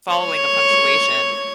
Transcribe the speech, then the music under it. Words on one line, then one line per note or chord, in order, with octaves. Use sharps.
following the punctuation,
C#5